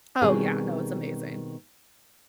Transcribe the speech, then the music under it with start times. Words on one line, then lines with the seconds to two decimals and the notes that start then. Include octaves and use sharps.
Oh yeah, no, it's amazing.
0.22 B2 D#3 G3 C4 G#4